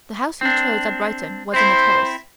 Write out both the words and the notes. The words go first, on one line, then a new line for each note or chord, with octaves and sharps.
The house he chose at Brighton was in a terrace.
C4 D4
C4 E4 C5